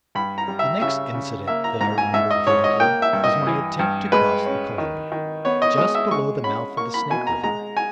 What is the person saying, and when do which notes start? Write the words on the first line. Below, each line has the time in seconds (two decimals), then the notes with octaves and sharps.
The next incident that I remember vividly was my attempt to cross the Columbia, just below the mouth of the Snake River.
0.15 G2 B5
0.38 A#5
0.48 G3
0.59 E5
0.81 C#3 E5
1.14 C#3
1.48 A#3 E5
1.64 A#5
1.81 G#2 A#5
1.98 G#5
2.14 G#2 E5
2.31 D#5
2.47 G#2 C#5
2.64 D#5
2.80 A#3 G5
3.02 E5
3.13 G2
3.24 D#5
3.47 E3
3.79 G2
4.12 G#3 B4
4.46 C#4
4.78 D#3
5.12 D#3
5.45 B3 C#5
5.62 D#5
5.77 G#3 D#5
5.95 E5
6.11 G#3 C#6
6.44 C#4 B5
6.77 A#3 C#6
6.94 B5
7.10 B2 G#5
7.27 A#5
7.43 G#3 A#5
7.77 G#5